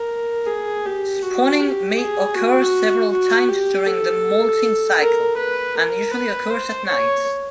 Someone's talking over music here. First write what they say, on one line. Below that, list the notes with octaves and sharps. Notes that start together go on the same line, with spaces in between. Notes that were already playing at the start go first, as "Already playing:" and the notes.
Spawning may occur several times during the moulting cycle, and usually occurs at night.
Already playing: A#4
G#4
G4
F#4
G4
G#4
F#4
F#4
G4
A4
A#4
B4
A#4
B4
C5
C#5